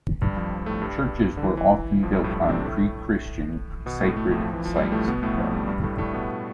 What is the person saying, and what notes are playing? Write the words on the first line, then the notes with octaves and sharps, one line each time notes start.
Churches were often built on pre-Christian sacred sites, though.
G2 G3
F2 F3
A2 A3
G2 G3
D3
E3
E3
F2 F3
G2 G3
A2 A3
A2 A3
D4
C3 C4
A2 A3
B2 B3
A2 A3
A2 A3
F2 F3
E3
F3
G2 G3
A2 A3
B2 B3
A2 A3
F2 F3
G2 G3
G2 G3
A2 A3
A2 A3
B2 B3